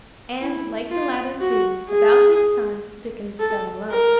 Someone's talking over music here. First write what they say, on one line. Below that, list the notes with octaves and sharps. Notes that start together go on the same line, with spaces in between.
And like the latter, too, about this time Dickens fell in love.
E4
F4
F#4
G#4
A4
A#4